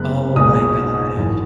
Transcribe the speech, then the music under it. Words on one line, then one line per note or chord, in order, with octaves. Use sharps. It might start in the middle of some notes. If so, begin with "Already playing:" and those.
Oh my gosh.
Already playing: F#1 F#2 C#3 G#3 B3 F#6
B1 A#2 G#3 B3 D#6
G#1 F#2 E3